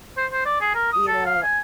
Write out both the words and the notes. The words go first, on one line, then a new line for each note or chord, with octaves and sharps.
you know,
C5
C5
D5
G#4
A#4
D#6
A4
F5
G#5